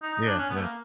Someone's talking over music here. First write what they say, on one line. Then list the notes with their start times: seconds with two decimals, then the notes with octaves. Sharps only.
Yeah, yeah.
0.02 D#4
0.14 D#4
0.26 D4
0.38 C#4
0.49 B3
0.56 A3
0.61 A#3